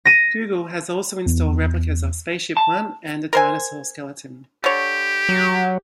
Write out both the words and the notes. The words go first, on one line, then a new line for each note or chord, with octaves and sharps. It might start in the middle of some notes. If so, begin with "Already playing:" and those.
Google has also installed replicas of SpaceShipOne and a dinosaur skeleton.
A#6 D#7
E2
A5
A#4 C5 G#5
D3 G4 C#5
F#3